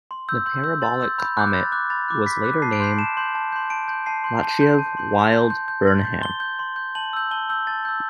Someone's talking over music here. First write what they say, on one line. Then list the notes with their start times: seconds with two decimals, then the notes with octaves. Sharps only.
The parabolic comet was later named "Latyshev-Wild-Burnham".
0.11 C6
0.29 E6 G6
0.46 C6 G6
0.64 E6 G6
0.82 C6 A6
1.00 E6 G6
1.18 B5 G6
1.37 D6 F#6 G6
1.48 G6
1.54 B5 A6
1.72 D6 F#6
1.90 B5 A6
2.08 D6 F#6
2.26 B5 B6
2.44 D6 F#6
2.62 A5 C7
2.73 D7
2.80 C6 G6 C7
2.98 A5 E7
3.17 C6 G6
3.35 A5
3.52 C6 G6
3.70 A5 D7
3.88 C6 G6
4.06 A5 C7
4.24 C6 G6
4.43 A5
4.61 C6 G6
4.78 A5
4.97 C6 G6
5.15 A5
5.33 C6 G6
5.50 C6 G6
5.68 G6
5.87 C6 A6
6.05 G6
6.22 C6 G7
6.40 G6
6.59 C6
6.76 G6
6.95 A5 F#7
7.13 E6 G6
7.31 A5 G7
7.49 E6 G6
7.67 A5 A6
7.85 E6 G6